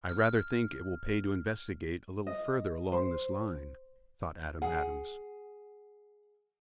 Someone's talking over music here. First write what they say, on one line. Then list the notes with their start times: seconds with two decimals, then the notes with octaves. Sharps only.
"I rather think it will pay to investigate a little further along this line," thought Adam Adams.
0.09 F6
2.27 D#5
2.92 C5
4.62 G#4 F#5